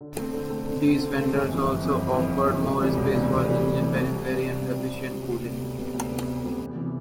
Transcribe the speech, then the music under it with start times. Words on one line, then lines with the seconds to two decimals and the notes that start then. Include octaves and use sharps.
These fenders also offered more space for engine periphery and efficient cooling.
0.01 D3
0.17 A3 C4
0.34 D3
0.50 A3 C4
0.67 D3
0.83 A3 C4
0.99 D3
1.16 A3 C4
1.33 G1
1.49 F2 E3
1.65 G1
1.82 F2 E3
1.98 G1
2.14 F2 E3
2.31 G1
2.48 F2 E3
2.64 E1
2.80 D2 C3 E3 G3
2.97 E1
3.14 D2 C3 E3 G3
3.30 E1
3.47 D2 C3 E3 G3
3.62 E1
3.79 D2 C3 E3 G3
3.96 C2
4.12 C3 G3
4.29 C2
4.46 C3 G3
4.62 C2
4.78 C3 G3
4.94 C2
5.11 C3 G3
5.27 D2
5.44 C3 G3 B3
5.61 D2
5.78 C3 G3 B3
5.94 D2
6.10 C3 G3 B3
6.27 D2
6.43 C3 G3 B3
6.59 E2
6.76 C3 E3